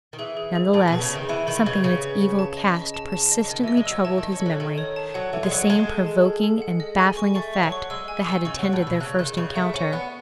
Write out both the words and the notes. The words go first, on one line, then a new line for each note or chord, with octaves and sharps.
None the less, something in its evil cast persistently troubled his memory, with the same provoking and baffling effect that had attended their first encounter.
D#3
E3 G#4
G#4
G#4
A2 G#4
B2 B4
C#3
D#3 G#4
E3 B5
D#3 B5
C#3 B4
C#3 F#5
B4
F#5
A5
D#5
D#5
A5
A5
D#5
D#3 D#5
E3 D#5
G#3
E6
F#3
E3 A5
D#3 D#5
C#4
F#3 A4
D#3 A4
C#5
A5
F#3 F#5
E3 A4
G#3
F#3 F#5
G#3 A5
A4
A5
A4
A4
F#5
D#5
G#5
C#6
A3 C#6
C#6
F#3
C#6
G#3 E6
G#5
D#3 E6
C#3 C#6
F#3 C#6
A2
B2 E6
C#3 F#6
D#3 F#6
C#3 C#6
A3 F#5
C#4 F#5
B3 F#6